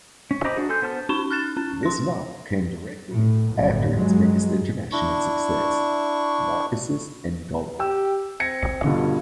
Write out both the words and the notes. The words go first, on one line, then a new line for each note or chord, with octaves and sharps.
This novel came directly after his biggest international success, "Narcissus and Goldmund".
C#4
C5 D#5 A#5 B5 D6
D4 F#4 G#4
A4 G#5 C6 G6
B3 C5 A5 F6
C#4 D#4 C#6 E7 G7
F6 F#6 A6 E7
C#4
C6 A#6
A2
G1 F#2 A2
G2 F#3 G#3
D4 E4 C#6
G4 G5 E6
C4 G#6 A#6 C#7
G2 B2 D3 F4